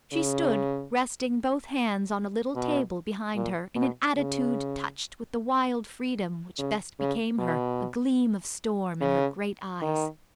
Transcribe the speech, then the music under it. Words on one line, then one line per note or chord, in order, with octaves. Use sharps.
She stood resting both hands on a little table behind her, in an attitude touched with the wild freedom which best became her, a gleam of storm in her great eyes.
C#3
B2
A#2
B2
C#3
C#3
C#3
B2
C#3
D#3